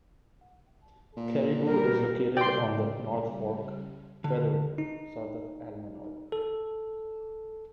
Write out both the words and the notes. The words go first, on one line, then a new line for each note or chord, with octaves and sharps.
Caribou is located on the North Fork Feather River, south of Almanor.
A#2
G3 A#4
C#3 G3 D5 G5 C6
D3
D#4
A4